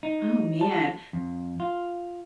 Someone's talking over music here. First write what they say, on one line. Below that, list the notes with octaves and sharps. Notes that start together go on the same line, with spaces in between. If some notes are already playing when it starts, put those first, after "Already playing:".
Oh, man.
D#4
A5
F2
F4